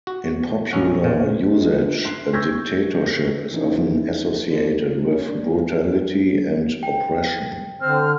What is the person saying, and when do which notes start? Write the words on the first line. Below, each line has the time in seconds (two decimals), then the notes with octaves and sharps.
In popular usage, a "dictatorship" is often associated with brutality and oppression.
0.07 F#4
0.71 A#1 C#4 F#5
1.04 A#2
1.60 D4 F4 B4 D#5
2.04 D4 E5 C6 F#6 C7
2.33 C#6 E6 G6 G#6 A#6 B6
3.51 E3 C#4 D#4
4.50 D3
4.78 A#1
4.96 F1
5.10 C#3
5.28 G2
5.48 F3
6.83 G5
7.81 D3 C4 F6